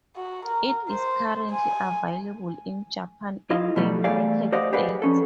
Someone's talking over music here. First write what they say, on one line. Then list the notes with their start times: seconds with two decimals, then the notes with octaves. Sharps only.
It is currently available in Japan and the United States.
0.16 F#4
0.45 A#4
0.90 C5
1.52 G#5
3.50 E4 F4 D#5 F5
3.76 B2 F#3 G3 A3
4.04 E2 G3 A3 G#4 D5 F5
4.52 G4 C5 D5 D#5 F5 F#5
4.73 G4 G#4 B4 D5 F5 F#5
5.02 F2 C#4 A4